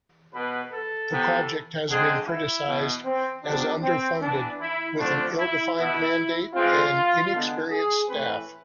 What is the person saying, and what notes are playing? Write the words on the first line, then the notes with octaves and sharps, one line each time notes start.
The project has been criticized as underfunded, with an ill-defined mandate and inexperienced staff.
B2 B3 B4
A4
C3 E3 B3
D3 G#3 C4 G#4
E4
B2 B3
C4
C3 F3 B3 D4
C4
E3 B3 D4
E4
D3 F3 A3 C4 D4
E4
B2 B3 E4
E3 G#3 C4 F4
D3 G#3 B3
G#4
A2 E3 A3 C4 B4